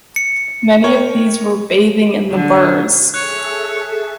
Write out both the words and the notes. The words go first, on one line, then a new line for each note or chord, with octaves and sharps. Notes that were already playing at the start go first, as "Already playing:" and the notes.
Many of these were bathing in the Birs.
C#7
A#4 C#5 G5
D3
G#4 A4 C#5 E5 F#6